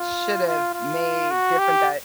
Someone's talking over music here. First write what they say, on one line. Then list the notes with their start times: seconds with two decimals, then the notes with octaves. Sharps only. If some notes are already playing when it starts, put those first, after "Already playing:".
should've made different that
Already playing: F4
0.47 F4
0.74 F4
1.31 F#4
1.59 G4